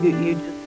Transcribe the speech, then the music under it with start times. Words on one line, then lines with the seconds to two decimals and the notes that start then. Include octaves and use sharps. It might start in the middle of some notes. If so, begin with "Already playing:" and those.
You you ju
Already playing: E3 E4 G4 A4
0.12 D4